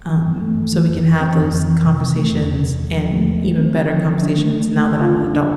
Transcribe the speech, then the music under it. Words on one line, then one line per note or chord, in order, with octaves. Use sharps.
um, so, we can have those conversations, and even better conversations now that I'm an adult.
E3
G2
A3
A3
E3
F2
E3
C4
F2
F2
E3
C3
C3
A3
E2
C3
E2
E2
F3
A3
A3
A3
C4
D3
F3
D3
D4
A3
A3
A3
A3
F4
D4
D4